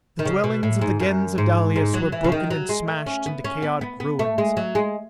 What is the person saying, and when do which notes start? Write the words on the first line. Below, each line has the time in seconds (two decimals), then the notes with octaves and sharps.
The dwellings of the Gens of Dalis were broken and smashed into chaotic ruins.
0.19 D#3
0.25 C#3
0.44 B2
0.63 A2
0.81 G#2
1.00 F#2
1.38 G#2
1.76 G#2
1.94 F#3
2.12 E3
2.24 C#3
2.32 D#3
2.50 F#3
2.69 G#3
2.88 A3
3.06 C#4
3.26 B3
3.44 C#4
3.62 B3
3.81 B3
4.00 B3
4.19 A3
4.38 G#3
4.57 F#3
4.75 G#3